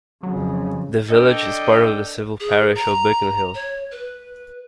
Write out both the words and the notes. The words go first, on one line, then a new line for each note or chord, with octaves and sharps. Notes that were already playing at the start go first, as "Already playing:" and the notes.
The village is part of the civil parish of Bickenhill.
F2 C#3 F#3
D4 A4 D#5 G5
G#4
A#5
C#5
B4